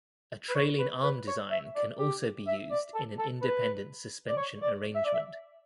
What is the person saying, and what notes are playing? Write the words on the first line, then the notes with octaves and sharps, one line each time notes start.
A trailing arm design can also be used in an independent suspension arrangement.
B4
C#5
B4
B4
C#5
E5
D5
G4
E5
D5
A4
A4
B4
D5
C#5
D5
E5
D5
E5